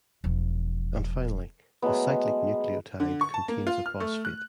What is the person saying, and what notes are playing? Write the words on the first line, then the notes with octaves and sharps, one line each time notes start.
And finally, a cyclic nucleotide contains a phosphate.
E1 F3
F#3 G#3 A3 B3
D3
C#6
A5
A#3
F4
F6
A3
F#6